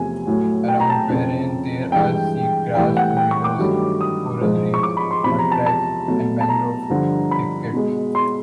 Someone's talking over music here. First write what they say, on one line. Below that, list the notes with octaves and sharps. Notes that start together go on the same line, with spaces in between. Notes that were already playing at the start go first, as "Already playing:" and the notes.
Around Bahrain there are seagrass meadows, coral reefs, mudflats and mangrove thickets.
Already playing: E2 C3 F3 A3 G#5
A2 F#3 A3
G5
A#5
A5
F2 C#3 F3
G2 E3 G#3 G5
A2 E3 G3 G5
F#5
G5
C#6
D6
G2 D#3 F#3 A3
D#6
G#2 F3 G#3
C#6
D6
B5
C6
E2 C3 F3 B5
A#5
A5
A5
B2 F#3 A3
A5
A#5
G2 D3 F3
B5
B2 G#3
C6